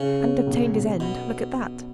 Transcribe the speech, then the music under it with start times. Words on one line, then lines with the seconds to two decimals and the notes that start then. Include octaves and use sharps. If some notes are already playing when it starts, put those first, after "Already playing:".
"And obtained his end; look at that."
Already playing: C#3 C#4
0.20 C#4
0.46 B1
0.74 B1
1.00 B2